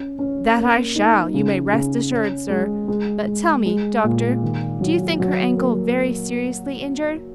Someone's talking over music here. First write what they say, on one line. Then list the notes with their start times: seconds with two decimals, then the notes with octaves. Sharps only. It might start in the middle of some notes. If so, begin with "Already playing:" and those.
"That I shall, you may rest assured, sir; but tell me doctor, do you think her ankle very seriously injured?"
Already playing: C#4
0.19 C#4
0.57 A#3
0.95 D#4
1.34 C#3
1.73 C#3
2.11 C#4
2.50 G#3
2.88 G#3
3.27 G#3
3.66 G#3
4.04 A#2
4.42 D#3
4.81 F#3
5.20 F#3
5.57 A#3